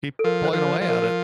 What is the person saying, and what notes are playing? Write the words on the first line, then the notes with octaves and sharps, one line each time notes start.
keep plugging away at it.
A4
F3 A#4
C5
F3 A#4
C5
F3
A#4
A#4